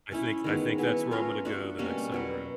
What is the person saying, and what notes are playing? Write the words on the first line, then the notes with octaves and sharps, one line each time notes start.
I think I think that's where I'm gonna go the next time around.
A3 C#4 E4
D#3 G#3 B3
F#3 B3 E4 G#4
A3 C#4 F4 A#4
A3 D4 F#4
B2 G3 A#3 C#4
B2 F#3 B3